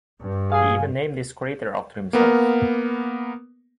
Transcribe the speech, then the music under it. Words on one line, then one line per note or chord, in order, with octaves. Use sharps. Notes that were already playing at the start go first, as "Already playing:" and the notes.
He even named this crater after himself.
G2
G#4 F5 G#5
A#3 B3 A#4